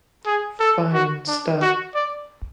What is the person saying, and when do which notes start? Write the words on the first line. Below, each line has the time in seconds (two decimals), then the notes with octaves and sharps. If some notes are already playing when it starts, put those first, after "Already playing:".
Fine stuff.
0.26 G#4
0.60 A4
0.94 F#4
1.28 D4
1.62 F#4
1.95 D5